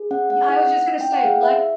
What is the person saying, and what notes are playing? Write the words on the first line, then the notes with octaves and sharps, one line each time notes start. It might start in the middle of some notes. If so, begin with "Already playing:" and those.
Yeah, I was just gonna say black
Already playing: G#4
C#4 F#5
F#5
E4 F#5
E4
G5
F#5
G#4 F5
E5